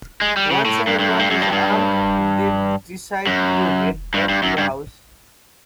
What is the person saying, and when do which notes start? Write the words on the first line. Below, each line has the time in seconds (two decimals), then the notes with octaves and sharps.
Once everyone is armed, they decide to head back to the house.
0.22 G#3
0.37 G3
0.51 C#3
0.65 A2
0.88 G2
0.99 G2
1.09 F#2
1.19 G2
1.31 F#2
1.42 G2
1.48 F#2
1.52 G2
3.27 F#2
4.14 G2
4.29 G2
4.43 F#2
4.58 G2